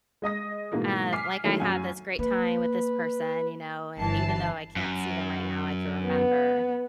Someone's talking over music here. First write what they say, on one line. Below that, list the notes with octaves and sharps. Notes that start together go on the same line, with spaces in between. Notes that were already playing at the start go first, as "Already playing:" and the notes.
uh, like, I had this great time with this person, you know, and even though I can't see them right now, I can remember
G#3 D#5 D#6 A#6
G#2 B2 E3 G#3 A#3
G#5 D6 F6 B6 C7
D#3 E3 F#3 G#3 A3
F#2 G#5
A#3 B4
G1 E3 A5 C7
F#2
B3